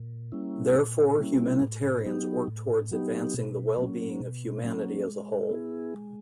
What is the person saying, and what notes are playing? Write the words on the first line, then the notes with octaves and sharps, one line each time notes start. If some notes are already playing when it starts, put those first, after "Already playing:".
Therefore, humanitarians work towards advancing the well-being of humanity as a whole.
Already playing: A#2
G3 A#3 C#4 E4
A#2
G3 A#3 C#4 E4
A2
F#3 B3 D#4 G4
A2
F#3 B3 D#4 G4
B2
F#3 A#3 C#4
B2
F#3 A#3 C#4
G#3
B3 E4 G#4
G#3